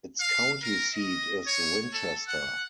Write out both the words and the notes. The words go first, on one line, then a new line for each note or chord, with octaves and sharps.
Its county seat is Winchester.
F5
A#4
D#5
C#5
A4
F#5